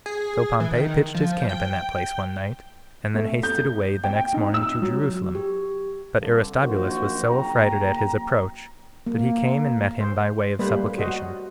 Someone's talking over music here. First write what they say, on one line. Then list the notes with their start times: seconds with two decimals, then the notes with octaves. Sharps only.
So Pompey pitched his camp in that place one night, and then hasted away the next morning to Jerusalem; but Aristobulus was so affrighted at his approach, that he came and met him by way of supplication.
0.06 G#4
0.60 E3
0.75 D#3
1.14 F3
1.49 G5
3.14 A3
3.43 G6
4.04 G5
4.34 D#4
4.54 E6
4.82 F#3
5.35 G4
6.21 C2 G2 D3
6.58 A#1 F#2 D#3 A#3 F#4 C5
7.29 F#1 A#3 G5 A#5
9.06 A#3
10.00 C5
10.59 G3 A3 A#3 B4 C5 B5
10.98 F#4 C5 D#5 F#5